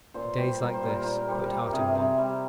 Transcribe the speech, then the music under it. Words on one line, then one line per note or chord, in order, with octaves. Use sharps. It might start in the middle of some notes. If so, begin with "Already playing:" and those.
Days like this put heart in one.
A#2 C5
G3 C5
G3 A#4
C5
A#2
A#4
A#2 C5
A#4
G3 C5
A#4
G3
G4
C3 G#4
C3
G3